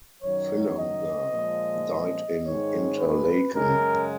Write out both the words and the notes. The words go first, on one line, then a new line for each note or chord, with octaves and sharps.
Fillunger died in Interlaken.
F#2 D#3 F#3 C#5
D#5
A#2 F3 G#3
G#2 D#3 G#3 C#5
B4
F#2 C#3 G#3 A#4